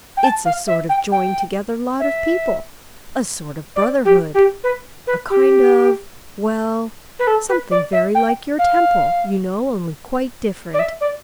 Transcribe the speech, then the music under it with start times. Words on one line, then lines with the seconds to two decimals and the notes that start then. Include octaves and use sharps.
'It's a sort of joined-together lot of people--a sort of brotherhood--a kind of--well, something very like your temple, you know, only quite different.'
0.17 G5
0.23 A5
0.45 F5
0.67 E5
0.89 G5
1.12 G5
2.00 E5
3.75 D5
4.05 G4
4.34 G4
4.63 B4
5.07 B4
5.30 G4
7.19 B4
7.27 A4
7.49 B4
7.71 D5
7.92 E5
8.15 G5
8.58 F5
10.73 D5
10.79 E5
11.00 D5